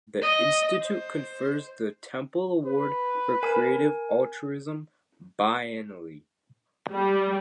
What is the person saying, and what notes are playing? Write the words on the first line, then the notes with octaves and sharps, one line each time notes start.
The institute confers the Temple Award for Creative Altruism, biennially.
D#5
C5
B4
A#4 G#5
G3